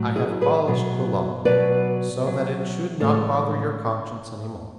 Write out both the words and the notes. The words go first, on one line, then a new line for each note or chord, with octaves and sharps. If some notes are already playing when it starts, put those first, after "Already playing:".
I have abolished the Law, so that it should not bother your conscience any more.
Already playing: A2 F#3
E4 G#4
G#4 B4
B2 F#3
B2 F#3 B4 D5
B2 F#3
A2 E3 G#3 A4 C#5